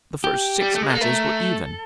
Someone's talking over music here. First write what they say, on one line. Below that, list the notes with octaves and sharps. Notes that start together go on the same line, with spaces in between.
The first six matches were even.
G4
G3
A3
G#3
A#3 A4
A3 A#4
A4